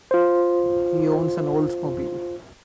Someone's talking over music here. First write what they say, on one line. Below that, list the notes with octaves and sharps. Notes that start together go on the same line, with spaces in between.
He owns an Oldsmobile.
F4 C5